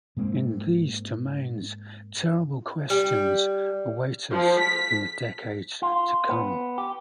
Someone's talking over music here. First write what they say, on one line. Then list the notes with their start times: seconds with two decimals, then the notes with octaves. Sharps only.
In these domains, terrible questions await us in the decades to come.
0.17 G#2 G#3 A#3 C4
2.90 G3
4.30 F3
4.59 B6
5.82 F4
6.29 B3
6.78 G4